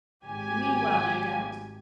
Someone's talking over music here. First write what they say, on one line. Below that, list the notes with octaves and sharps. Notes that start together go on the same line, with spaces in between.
'You mean well, no doubt.
G#1 G4 G#5